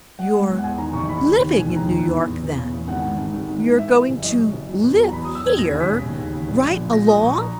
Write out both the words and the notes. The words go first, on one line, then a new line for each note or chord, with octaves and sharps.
"You're LIVING in New York, then--you're going to live here right along?"
G#3 F#5
G#3
E2
F#5
E2 G#5
D#3 A#5
F#1 C#6
D#2 B5
D#2
D#3
E1 G#5
D#2
A#5
D#3
E2
E2
E2
E2
C#3
E2
G#1 F#5
G#2
G#1
G#1
G#2
E3
E3 E5
E3
F#1
F#2 D#5
F#2
F#1
F#3
E2
F#3
A#5
E2 B5
D#6
F#3
E6
E2 G#6
D#2 A#6
C#3
B6
E1
D#2
D#2
C#3
A#1
A#1
A#2
A#2 A#6
A#1 D#6
A#1 C#6
A#5